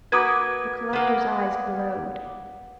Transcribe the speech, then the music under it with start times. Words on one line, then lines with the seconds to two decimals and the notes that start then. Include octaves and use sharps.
The collector's eyes glowed.
0.12 A#3 F#4 B4 D6 D#6 G#6
0.93 A#3 B3